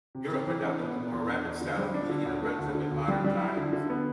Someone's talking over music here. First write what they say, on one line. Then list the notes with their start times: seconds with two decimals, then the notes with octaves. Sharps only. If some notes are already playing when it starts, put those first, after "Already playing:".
Europe adopted the more rapid style of eating in relatively modern times.
0.15 C3
0.31 C3
0.47 E3
0.64 D4
0.79 B3
0.96 B3
1.12 E2
1.29 D4
1.45 E2
1.61 D3
1.78 G3
1.94 D4
2.09 D3
2.26 D2
2.42 A3
2.59 D2
2.75 D3
2.91 D2
3.08 G3
3.24 G3
3.40 E4
3.57 D3
3.73 D3
3.90 B3